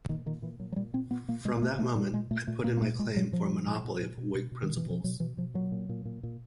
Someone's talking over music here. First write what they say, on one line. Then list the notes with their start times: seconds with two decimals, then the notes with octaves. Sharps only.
From that moment I put in my claim for a monopoly of Whig principles.
0.09 A#2 D#3
0.26 A#2 D#3
0.42 A#2 E3
0.60 A#2 F#3
0.72 F#3
0.76 A#2 G3
0.93 A#2 C4
1.11 A#2 B3
1.28 A#2 A#3
1.45 A#2 G#3
1.57 A#3
1.62 A#2 A3
1.78 A#2 A3
1.96 A#2 G3
2.13 A#2 G#3
2.31 A#2 A3
2.47 A#2 A3
2.64 A#2 A#3
2.77 A#3
2.81 A#2 A3
2.99 A#2 G#3
3.16 A#2 F#3
3.32 A#2 F3
3.49 A#2
3.67 A#2
3.85 A#2
4.01 A#2
4.18 B2
4.35 B2
4.52 B2
4.63 D#3
4.69 B2
4.77 E3
4.86 B2 F3
5.04 B2 F#3
5.20 B2 E3
5.37 B2 F3
5.54 A#2 F#3
5.72 A#2
5.89 A#2
6.05 A#2
6.23 A#2